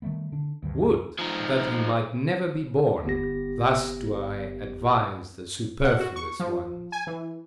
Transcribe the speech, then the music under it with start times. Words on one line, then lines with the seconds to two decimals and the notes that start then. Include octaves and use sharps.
Would that he might never be born!--Thus do I advise the superfluous ones.
0.02 D#3 G3 A3 B3
0.32 D3 D4
0.63 D2 G2 D#3
1.19 F3 D#4
3.05 G1 B3 G4 A#6
5.84 F#5
6.00 F#4
6.16 C#6
6.40 F3
6.92 G#5
7.07 E3